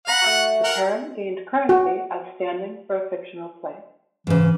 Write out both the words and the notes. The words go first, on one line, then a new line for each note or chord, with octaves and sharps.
The term gained currency as standing for a fictional place.
F5 F#5 A#5 B5
A3 F4 F#4
A#4 F#5
F#4
G#2 C#3 E3